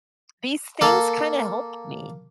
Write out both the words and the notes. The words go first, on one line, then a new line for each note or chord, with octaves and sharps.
these things kinda help me.
A#3 A4